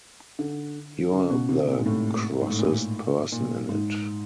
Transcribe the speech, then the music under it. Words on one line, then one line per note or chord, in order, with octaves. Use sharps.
You're the crossest person in it!
D3
C#3
B2
C3
A#2
G#2
A2
G#2
A2
A#2
A#2
G#2